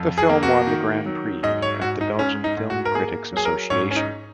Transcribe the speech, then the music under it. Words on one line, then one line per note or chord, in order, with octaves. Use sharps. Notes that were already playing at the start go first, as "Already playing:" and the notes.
The film won the Grand Prix of the Belgian Film Critics Association.
Already playing: F2
G#4
A#3
F#4
D#3
F#3
G#2 D#5
C#5
G#2 F#4
D#4
G#2 C#4
D#4
G#2
F#4
A#4
A#3 G#4
F#3 G#4
A#4
G#2 C#5
C#4
D#4